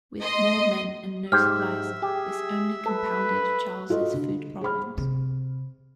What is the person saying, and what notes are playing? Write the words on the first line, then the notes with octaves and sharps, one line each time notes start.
With more men and no supplies, this only compounded Charles's food problems.
D#5 C6
G#2 G4 C5 E5 F6
G4 G#4
A4 B4
F4 F#4 A4 D#5
D3
G#4 C5 B5 F6
C3